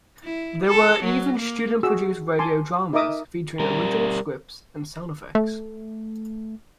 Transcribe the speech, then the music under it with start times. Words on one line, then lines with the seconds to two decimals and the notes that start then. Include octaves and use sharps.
There were even student-produced radio dramas featuring original scripts and sound effects.
0.24 E4
0.68 A4
1.04 F#3
1.39 A#3
1.83 F#4 G#4 E6
2.39 G#5 A5 C6 D6
2.93 D#4 A#4 D#5 E5 D6 D#6
3.60 G3 A#4
5.35 A3